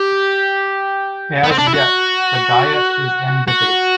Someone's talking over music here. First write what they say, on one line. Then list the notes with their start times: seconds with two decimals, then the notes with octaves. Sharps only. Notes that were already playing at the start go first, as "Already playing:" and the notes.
As yet, the diet is in debate.
Already playing: G4
1.44 B3
1.51 C4
1.58 D4
1.67 E4
1.74 F#4
3.48 F#4